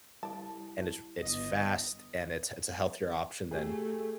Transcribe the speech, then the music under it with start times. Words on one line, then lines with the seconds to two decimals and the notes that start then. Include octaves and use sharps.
and it's it's fast, and it's it's a healthier option than,
0.23 G3 E4 D5 A5
1.21 G1 B3 D#5
3.51 A3 G4 G#4